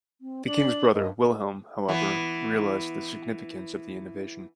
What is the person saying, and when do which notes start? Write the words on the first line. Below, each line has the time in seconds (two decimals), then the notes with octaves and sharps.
The king's brother Wilhelm, however, realized the significance of the innovation.
0.21 C4
0.47 D4 D5 F#7
0.94 G2 A#4 D#5
1.88 E3 B3